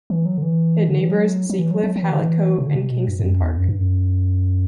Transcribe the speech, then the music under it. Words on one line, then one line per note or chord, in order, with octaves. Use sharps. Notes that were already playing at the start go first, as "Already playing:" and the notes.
It neighbours Seacliff, Hallett Cove and Kingston Park.
E3
F#3
D3
E3
D3
E3
F#3
F#3
E3
F#3
F#3
F#3
E3
D3
E3
C3
D3
C3
B2
G2
G2
F#2
E2
F#2
G2
F#2